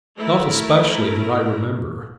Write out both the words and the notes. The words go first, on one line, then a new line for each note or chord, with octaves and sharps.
"Not especially, that I remember."
A3 E4 A#4